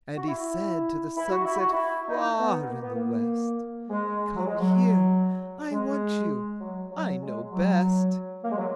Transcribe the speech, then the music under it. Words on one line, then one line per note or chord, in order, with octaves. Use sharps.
And he said to the sunset far in the West, "Come here; I want you; I know best."
F#4
E4
E4
F#4
E4
F#4
E4
D#4
B3
A#3
B3
A#3
G#3
F#3
G#3
F#3
G#3
F#3
F#3
G#3
F#3
A#3
G#3
F#3